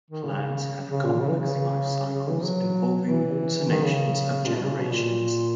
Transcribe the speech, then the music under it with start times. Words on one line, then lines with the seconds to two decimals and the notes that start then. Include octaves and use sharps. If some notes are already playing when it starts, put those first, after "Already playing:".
Plants have complex lifecycles involving alternation of generations.
0.10 D#3
0.26 C#3
0.89 C#3
1.04 A#2
1.20 C#3
1.29 E3
1.40 C#3
2.13 C#3
2.29 E3
2.44 F#3
3.07 E3
3.69 D#3
3.86 C#3
4.47 A#2
4.55 B2
4.63 C#3
4.79 B2
4.94 A#2